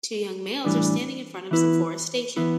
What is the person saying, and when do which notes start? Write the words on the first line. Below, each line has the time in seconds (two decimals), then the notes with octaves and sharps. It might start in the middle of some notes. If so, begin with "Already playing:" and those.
Two young males are standing in front of some forestation.
0.64 A2 E3 G3 D4
1.51 E3 B3 E4 B4
2.36 E3 B3 E4 B4